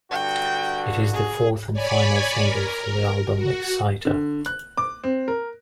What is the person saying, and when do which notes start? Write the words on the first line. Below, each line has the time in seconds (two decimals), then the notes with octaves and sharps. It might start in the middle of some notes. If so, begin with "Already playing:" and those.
It is the fourth and final single for the album "Exciter".
0.11 G2 D3 F#4 G5
1.13 G#4
1.73 C#5 D5 G#5 B5
2.43 A#4
3.35 F#4
4.05 D3
4.46 F#6
4.77 D6
5.04 C4
5.28 A#4